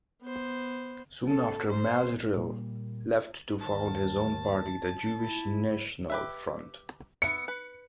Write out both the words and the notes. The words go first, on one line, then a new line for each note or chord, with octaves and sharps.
Soon after Marzel left to found his own party, the Jewish National Front.
B3 C5
A4
C5
A#2 G3 A#3
D#2 D#3 A5
E4
G4 B4 E5
B3 E5 C#7
B4